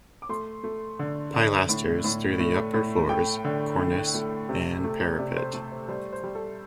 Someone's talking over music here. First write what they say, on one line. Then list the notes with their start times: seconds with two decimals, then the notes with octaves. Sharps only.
Pilasters through the upper floors, cornice and parapet.
0.22 D6
0.29 A3 C6
0.63 A3
0.99 D3
1.34 D3
1.69 A2
2.04 A2
2.39 A3
2.74 A2
3.09 A3 G5
3.44 D3
3.79 A3
4.14 A3
4.49 C3
4.84 A3
5.19 C3 D5
5.36 C5
5.54 A3 A4
5.71 C5
5.88 G3 C5
6.12 C5
6.24 G3
6.35 A4